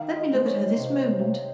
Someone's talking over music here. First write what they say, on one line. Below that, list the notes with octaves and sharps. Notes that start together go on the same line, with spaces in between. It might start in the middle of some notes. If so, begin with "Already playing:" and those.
Let me look at her this moment.
Already playing: D#3 F5
F5
D#5
G#3 C5
C#5
C3
C3